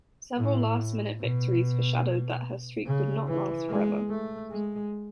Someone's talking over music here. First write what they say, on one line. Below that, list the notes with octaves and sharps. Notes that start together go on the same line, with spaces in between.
Several last-minute victories foreshadowed that her streak would not last forever.
A2
B2
C#3
E3
G#3
A3
G#3